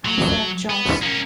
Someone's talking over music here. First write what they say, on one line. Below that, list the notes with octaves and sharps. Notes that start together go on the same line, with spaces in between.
Isaac Johnson.
F#3
B3
A#3 C#4